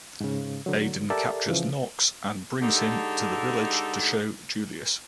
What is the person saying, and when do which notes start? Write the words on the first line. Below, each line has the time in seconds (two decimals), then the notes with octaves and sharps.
Aiden captures Nox and brings him to the village to show Julius.
0.20 G#2 C#3
0.66 D3 F#3
1.10 G4 A4 A#4 D5 E5 A5
1.48 C#3 E3 F3
2.62 D3 G#3 D#4 G4 A4